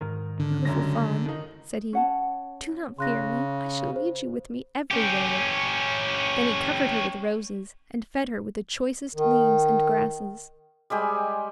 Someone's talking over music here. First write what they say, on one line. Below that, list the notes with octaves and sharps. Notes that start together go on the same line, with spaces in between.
"Beautiful Fawn," said he, "do not fear me, I shall lead you with me everywhere." Then he covered her with roses and fed her with the choicest leaves and grasses.
G#2 D#3 A#4
D3
F#2 C#3 G3 G#3 C#4 A#6
D#3 D#4
C#4 F#5 A5
C#3 C6 F#6 A#6
C5
C#4 G4
D#3
G3 G#3 G4 G#5